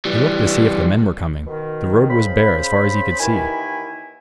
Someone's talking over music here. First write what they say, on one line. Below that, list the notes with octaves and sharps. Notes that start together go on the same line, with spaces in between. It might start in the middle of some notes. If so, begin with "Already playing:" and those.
He looked to see if the men were coming; the road was bare as far as he could see.
E3 G3
B2 D#3
C#3 C5 B5
D#2 D#3 E3 E4 G#5